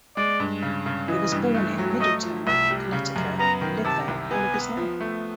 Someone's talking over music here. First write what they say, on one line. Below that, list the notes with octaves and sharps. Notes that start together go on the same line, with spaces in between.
He was born in Middletown, Connecticut and lived there all his life.
G#3 D5
G2
C#3
C#3
E3 D#5
G2
A3
F#3
A3 D#5
F3
C2 E5
G3
C#3
F#2
B3 A#5
D#3
C3 A5
C2
B3 G#5
B3
F3
A3